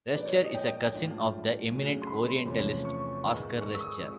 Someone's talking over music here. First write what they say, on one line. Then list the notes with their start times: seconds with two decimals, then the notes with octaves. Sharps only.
Rescher is a cousin of the eminent orientalist Oskar Rescher.
0.15 F3 A#3 D#4 G4 B4 D5
0.26 C#5
0.35 D5
0.44 D#5
0.55 G5
0.92 G#2 F3 A3 D4 F4
1.69 C#3 F#3 A3
2.02 C6
2.07 B5
2.46 E2 C3 F3 A3 C#4
2.85 C#6
3.23 G#2 D#3 G#3 B3 D#4
3.61 C#6
3.74 E6
3.80 D#6
4.00 G#3 C4 F4